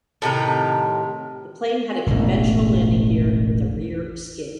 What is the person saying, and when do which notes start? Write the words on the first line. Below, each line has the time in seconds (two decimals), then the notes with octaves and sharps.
The plane had a conventional landing gear, with a rear skid.
0.22 A2 C3 D#3 A#5
2.07 E1 A1